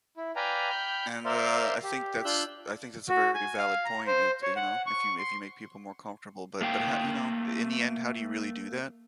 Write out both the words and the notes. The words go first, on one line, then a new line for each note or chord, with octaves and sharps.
And, uh, I think that's I think that's a very valid point, uh, you know, if you if you make people more comfortable, but but how, you know, in the end, how do you really do that,
E4
B4 D5 F5 G5 G#5 A#5
G5 B5 F6 G6
A#4 C5 D5 E5 F5 C6
G4
D4 F4 E6 F#6 G6
F#4
G#5
F5
A#5
C5
C#5
F#5
C#6
C6
A3 A#3 F5 G5